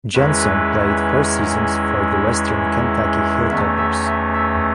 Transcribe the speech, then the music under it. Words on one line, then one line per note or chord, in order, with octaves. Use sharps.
Johnson played four seasons for the Western Kentucky Hilltoppers.
E2 D#3 G#3 C#4 E4 B4
E2 D#3 A3 C#4 E5
E5
E5
E5